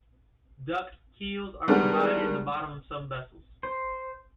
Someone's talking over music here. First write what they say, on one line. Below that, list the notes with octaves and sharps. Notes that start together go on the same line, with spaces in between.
Duct keels are provided in the bottom of some vessels.
D#3 G3 G#3 B3 D4 A#4
C5